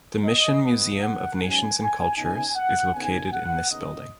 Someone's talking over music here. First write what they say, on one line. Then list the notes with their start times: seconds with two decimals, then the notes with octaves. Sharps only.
The Mission museum of nations and cultures is located in this building.
0.25 D#5
0.64 C#2 B2 G#3 B3 D#5
1.02 F#5
1.40 G#2 F#3 C#4 G#5
1.79 G#5
2.17 C#3 B3 D#4 G#5
2.55 F#5
2.93 C#3 B3 D#4 G#5
3.32 F#5
3.70 D#2 C#3 B3 D#4 D#5